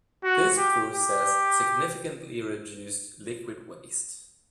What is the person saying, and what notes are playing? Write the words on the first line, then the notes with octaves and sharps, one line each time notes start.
This process significantly reduced liquid waste.
F#4
G4
G4